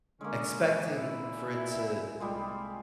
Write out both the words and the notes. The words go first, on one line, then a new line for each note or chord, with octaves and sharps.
expecting for it to
D3 G#3 A#3 C#4
A#2 E4
C2 G3 G#3 F4